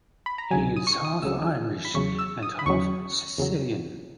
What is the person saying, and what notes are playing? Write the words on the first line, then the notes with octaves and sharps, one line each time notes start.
He is half Irish and half Sicilian.
B5
A#5
C#2 C#3 F#3 G#5
D#6
C#6
D#6
C#2 C#3 F#3 E6
B5
E2 C#3 F#3 C#6
E6
D#6
B5
E2 C#3 F#3 C#6
E2 C#3 F#3